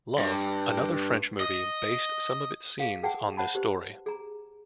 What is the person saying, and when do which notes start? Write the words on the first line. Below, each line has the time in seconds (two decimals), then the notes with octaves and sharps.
"Love," another French movie, based some of its scenes on this story.
0.18 G2
1.40 D#5
2.80 G#4 F5
3.03 G#4 B4 F#5 G5 A5
3.37 C5 F#5 A5 B5
3.55 G4 B4 C5
4.06 G#4 A#5